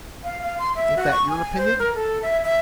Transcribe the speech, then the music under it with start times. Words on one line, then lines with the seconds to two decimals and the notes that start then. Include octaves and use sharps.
Ain't that your opinion?'
0.24 F5
0.41 F5
0.59 C6
0.75 E5
0.96 F#4
1.11 C#6
1.28 G#5
1.57 C5
1.79 A#4
1.95 A4
2.22 E5
2.43 E5